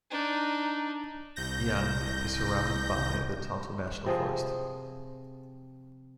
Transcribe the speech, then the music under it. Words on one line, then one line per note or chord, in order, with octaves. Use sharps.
Young is surrounded by the Tonto National Forest.
D4 D#4
C2 G6 A#6
C3 F3 G#4